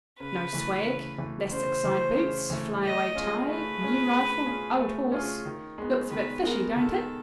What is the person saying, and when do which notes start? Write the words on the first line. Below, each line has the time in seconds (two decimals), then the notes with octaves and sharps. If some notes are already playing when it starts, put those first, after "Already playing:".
'No swag, 'lastic-side boots, flyaway tie, new rifle, old horse; looks a bit fishy don't it?'
0.20 C#3 B4
0.53 E3 A3
0.85 C#3
1.18 E3 A3
1.51 C#3 C5
1.85 E3 A3
2.17 C#3
2.50 E3 A3
2.83 A3 D#5
3.15 C#4 F4 G#4
3.48 A3 B4
3.81 C#4 F4 G#4
4.13 A3
4.46 C#4 F4 G#4
4.80 A3
5.12 C#4 F4 G#4
5.45 D#3
5.78 G#3 B3
6.11 D#3 B4
6.43 G#3 B3 A#4
6.76 D#3 A4